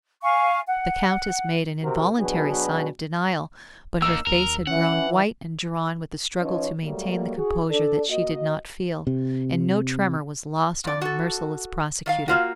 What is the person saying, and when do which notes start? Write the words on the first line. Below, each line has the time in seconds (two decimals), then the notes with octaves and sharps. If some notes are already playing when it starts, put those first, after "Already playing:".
The Countess made an involuntary sign of denial, but her face had grown white and drawn with the struggle to maintain the composure that she did not feel, and no tremor was lost on the merciless prosecutor.
0.23 F5 G#5 C#6
0.67 F#5
1.82 C3 F#4 A#4
2.18 B2 F#3 D4 F#4 G#4 B4
4.02 A1 A#3 D#4 E6
4.27 D#2 A#4
4.67 E3 C#4 F#5
6.41 F3 C#4 D#4 B4 C#5 D#5
6.83 F#3 G3 A3 A#3
7.37 F#4 G#4
7.69 D4 A4 D5
8.09 A#3 F#4 D#5
9.07 C3
10.84 F2 D5
11.01 F#4 A4
12.06 D#3 E5 F5
12.28 A#3 F4 F#4